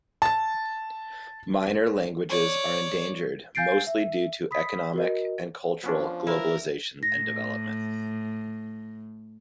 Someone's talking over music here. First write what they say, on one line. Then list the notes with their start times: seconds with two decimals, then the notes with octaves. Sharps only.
Minor languages are endangered mostly due to economic and cultural globalization and development.
0.22 A5 A6
2.29 C#5 D5
3.55 F5 G#5 G6 A6 C7 D7
3.87 E5
4.51 B5 D#6 B6
4.93 F#4 A#4 D#5
5.84 F3 B3 C#4 D4
6.27 E4 A#4
7.03 A2 A#6